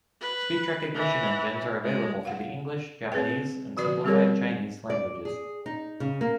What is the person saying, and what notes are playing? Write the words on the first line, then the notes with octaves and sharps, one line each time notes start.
Speech recognition engines are available for the English, Japanese, and Simplified Chinese languages.
B4
E3
G#3
F5 F#5
C4 G#4 B4 G5
D3 F3 F#4 B4 D5
G3 C4 G4 G#4 A#4 C#5
D5
G#4
D#4
C#3
A#3